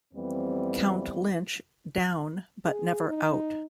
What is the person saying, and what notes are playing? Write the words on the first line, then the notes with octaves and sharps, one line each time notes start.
Count Lynch down but never out.
F2 E3 G3 B3 C4
G#4
D#4